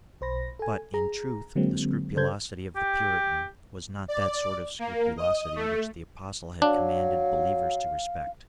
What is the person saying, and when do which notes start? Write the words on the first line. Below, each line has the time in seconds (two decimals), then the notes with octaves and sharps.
But, in truth, the scrupulosity of the Puritan was not that sort of scrupulosity which the Apostle had commanded believers to respect.
0.21 B1 C5 B5 A#6
0.59 A4 G#5
0.94 G#4 A#5
1.55 D3 F#3 G#3 A#3 C4
2.16 C#3 A4 C5 G6 G#6
2.76 G4
4.08 D5
4.79 A#3
5.17 D#5
5.56 A3
6.62 F#3 D4 F5